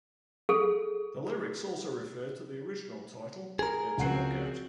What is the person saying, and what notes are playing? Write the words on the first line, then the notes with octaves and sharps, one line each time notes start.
The lyrics also refer to the original title: "It's A Knockout".
G#4 A4
G#4 A#4
C#2 F3 C4 F#4 F#5 C7